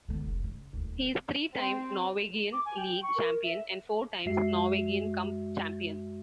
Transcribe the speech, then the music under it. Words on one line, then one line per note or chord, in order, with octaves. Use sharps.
He is three time Norwegian league champion, and four times Norwegian cup champion.
D3 B3
F1 C2
C#3
D#1 D2
C4
D6
G#5
G5
C#6
A#4
E5
F#2 G#3 F#4 E5 C7